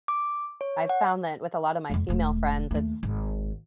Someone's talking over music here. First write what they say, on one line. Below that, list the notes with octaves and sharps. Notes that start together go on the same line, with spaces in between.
I've found that with a lot of my female friends, it's
D6
C#5
F#5
F2 G#3
E1 A3
D#2 A3
G#1